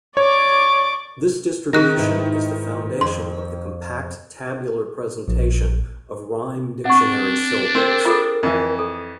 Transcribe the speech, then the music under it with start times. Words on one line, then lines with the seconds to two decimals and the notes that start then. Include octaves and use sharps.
This distribution is the foundation of the compact tabular presentation of rime dictionary syllables.
0.17 C#5 D5 C#6 D6
1.73 D#3 G#4 A#4 F#6 A#6
1.98 G#2 E4 B4
3.01 F2 C6
5.28 A#1
6.85 C4 D4 F#5 C#6
7.75 C4 A#4
8.05 F4 G#4 A4
8.43 F2 E3
8.79 A4